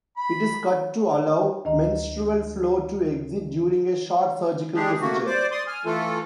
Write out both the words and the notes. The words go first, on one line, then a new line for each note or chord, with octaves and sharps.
It is cut to allow menstrual flow to exit during a short surgical procedure.
B5
D2 D#3 D#5 A#5
G#3 D4 G4 G#4
A3 A#3 F#4
C5 D5 D6
D5 C6 D#6
G#5 F6
E3 A3 F4 A4